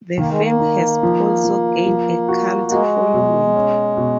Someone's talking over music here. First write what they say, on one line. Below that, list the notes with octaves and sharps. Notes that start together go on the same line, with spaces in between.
The film has also gained a cult following.
D#3 A#3
G#3
A#3
D#4
F3
F3
F3
F#4
G#3 F#4
B2
C#4
B2